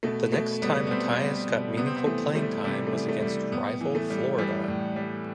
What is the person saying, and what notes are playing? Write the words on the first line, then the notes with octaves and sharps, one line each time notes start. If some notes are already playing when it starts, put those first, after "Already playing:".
The next time Mathis got meaningful playing time was against rival Florida.
B2 A3
B2 A3
G3 B3
B3
G3 C4
G3
B2
C3 B3
C4
B3
E3 A3
G3 A3
C3 G3
A3
E3
A3
G3
A2 B3
E3
A3
G3
E3 G3
A2
G3